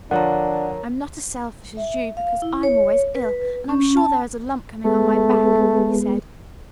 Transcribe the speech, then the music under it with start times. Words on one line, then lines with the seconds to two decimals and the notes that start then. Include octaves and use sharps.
"I'm not as selfish as you, because I'm always ill, and I'm sure there is a lump coming on my back," he said.
0.11 D3 F3 D4 A#4 C#5 F#5 A#5
1.77 E5
2.17 F5
2.42 E4
2.63 C#5
3.15 B4
3.69 C#4
3.97 A5
4.85 G#3 A3 B3